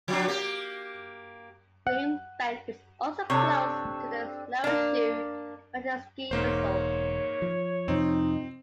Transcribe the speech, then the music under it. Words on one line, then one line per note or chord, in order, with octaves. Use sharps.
Green Bank is also close to the Snowshoe Mountain ski resort.
F3 F#3 D4
A#3 G4
F#5
C3 C4 D4 A4 C#5
A#3 D4
E1 G#2 A#3 C5 C#5
F3
F2 C3 F3 C4 D#4